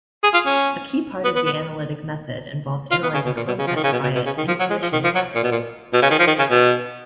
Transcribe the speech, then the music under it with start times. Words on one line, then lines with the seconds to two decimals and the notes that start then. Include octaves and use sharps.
A key part of the analytic method involves analyzing concepts via "intuition tests".
0.23 G#4
0.33 F4
0.46 C#4
1.24 B3
1.35 B3
1.45 B3
2.91 F4
3.03 B3
3.14 C#3
3.26 B2
3.36 A#2
3.48 B2
3.58 C#3
3.67 F3
3.76 D#3
3.84 C#3
3.92 B2
4.03 B2
4.15 B2
4.26 C#3
4.38 D#3
4.48 F3
4.59 F#3
4.70 G#3
4.82 F3
4.92 D#3
5.04 F3
5.15 F#3
5.35 A#2
5.43 B2
5.51 A#2
5.93 B2
6.02 C#3
6.10 D#3
6.19 F3
6.27 D#3
6.39 C#3
6.50 B2